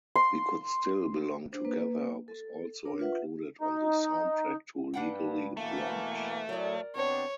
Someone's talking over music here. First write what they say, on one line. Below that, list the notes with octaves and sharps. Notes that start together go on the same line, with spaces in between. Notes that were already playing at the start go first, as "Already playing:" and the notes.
"We Could Still Belong Together" was also included on the soundtrack to "Legally Blonde".
C6
D4 C5
A#3 B4
A4
D4 A#4 C#5
F4 B4 E5 F#5
D#4
G2 D4 B4 F#5 G5
B2 E3 A3 A#3
A2 F#3 A#4 D5
B2 C4 D4 C#5